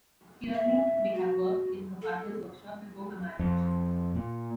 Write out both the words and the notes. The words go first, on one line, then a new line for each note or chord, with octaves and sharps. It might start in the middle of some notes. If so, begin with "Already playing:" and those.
Teerlinc may have worked in her father's workshop before her marriage.
E5
F#4
A4
F2
A#2